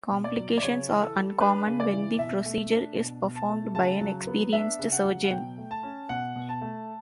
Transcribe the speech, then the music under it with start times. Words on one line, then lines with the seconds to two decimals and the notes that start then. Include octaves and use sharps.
Complications are uncommon when the procedure is performed by an experienced surgeon.
0.11 B2
0.24 D5
0.37 F#3
0.58 D5
0.63 C#3 C#5
0.89 E3
1.02 A4
1.15 G3
1.40 D4 B4
1.67 C#3
1.80 D5
1.93 E3
2.19 B2 E5
2.46 A3
2.72 D4
2.96 B2
3.23 B2
3.35 A5
3.49 A3
3.75 C#3 A5
4.01 F#3
4.27 B3
4.53 D4 E5
4.79 C#3
4.92 F#5
5.05 F#3
5.24 F#5
5.31 B2 G5
5.58 A3
5.71 A5
5.83 C#4
6.09 B2 F#5
6.36 B2
6.49 A5
6.61 A3